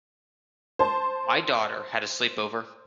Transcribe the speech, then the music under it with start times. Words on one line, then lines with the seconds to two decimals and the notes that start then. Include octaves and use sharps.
My daughter had a sleepover.
0.79 C5 A5